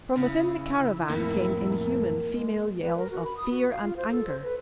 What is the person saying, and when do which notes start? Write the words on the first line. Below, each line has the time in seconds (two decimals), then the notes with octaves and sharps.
From within the caravan came inhuman female yells of fear and anger.
0.17 C#3 E4
1.10 F2 A2 A#3 A#4
2.28 G#3
2.81 B4
2.97 A#4
3.11 F#4
3.24 B5
3.37 D#6
3.50 F#4
3.69 F5
3.82 F4
3.97 C5
4.11 A4
4.28 C5
4.43 B4